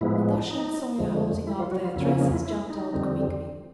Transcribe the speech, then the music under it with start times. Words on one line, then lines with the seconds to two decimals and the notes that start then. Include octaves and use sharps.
Natasha and Sonya, holding up their dresses, jumped out quickly.
0.01 A2 F3 G#3 B3 E4
0.50 D#4
0.98 F2 D3 F3 G#3
1.47 E4
1.59 F3 F4
1.71 F#3 F#4
1.83 F3 F4
1.96 F2 C#3 F3 A#3 C#4 E4
2.08 E4
2.20 D#4
2.32 E4
2.45 E4
2.70 D#4
2.93 F2 D3 G3 C4